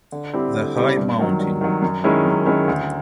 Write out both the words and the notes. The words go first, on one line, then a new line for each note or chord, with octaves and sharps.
The high mountain.
D3
G3 C4 E4 G4
D3
G3 C4 E4 G4
G2
D#3 F#3
G2
D#3 F#3
F#2
D#3 G#3 C#4 E4
F#2
D#3 G#3 C#4 E4
D2